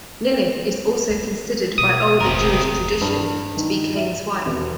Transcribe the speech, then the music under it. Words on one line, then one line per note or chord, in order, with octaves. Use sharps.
Lilith is also considered by older Jewish tradition to be Cain's wife.
G3 G#3
B2 D#6
F1 D2 C4 A#4
G2
D#3
E5
E1